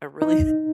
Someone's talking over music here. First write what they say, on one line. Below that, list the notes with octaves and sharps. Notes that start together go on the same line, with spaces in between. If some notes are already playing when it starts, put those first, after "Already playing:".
a really
D#4